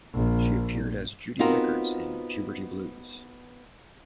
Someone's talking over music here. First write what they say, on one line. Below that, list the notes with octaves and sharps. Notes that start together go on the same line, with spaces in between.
She appeared as Judy Vickers in "Puberty Blues".
A#1
B3 C4 D#4 F4 F#4 A#4